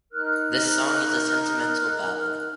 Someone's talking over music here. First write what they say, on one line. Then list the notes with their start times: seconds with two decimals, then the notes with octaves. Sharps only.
The song is a sentimental ballad.
0.12 D#4 A#4 F6 F#6